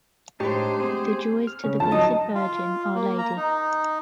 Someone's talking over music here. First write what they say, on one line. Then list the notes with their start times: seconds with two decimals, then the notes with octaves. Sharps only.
The joys to the Blessed Virgin, Our Lady.
0.40 A2 G#3 A3 D4 D#4 G4 C5 C#5
0.80 G#3 B3 C4 G#4
1.47 F6
1.64 C#3 C#4
1.80 F2 D3 F4 A5
1.92 F#3 D#4 D#5 D#6
2.35 F4
2.95 A#3
3.18 A#5
3.37 D#4